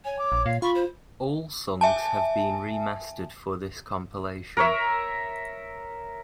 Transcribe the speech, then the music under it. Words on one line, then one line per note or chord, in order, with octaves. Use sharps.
All songs have been remastered for this compilation.
C#5 G#5
D6
A#1
A#2 F5
F4 B5 C#6
C5
E5 G#5 A5
A#4 C#5 E5